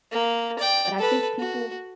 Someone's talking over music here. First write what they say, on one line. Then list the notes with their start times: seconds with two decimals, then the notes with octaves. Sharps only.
But I think people
0.11 A#3
0.59 D5 G5
0.98 A4 B4
1.39 F#4